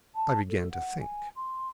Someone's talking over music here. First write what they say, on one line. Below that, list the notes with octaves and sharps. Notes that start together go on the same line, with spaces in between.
I began to think.
A5
A4
F#5
G#5
C6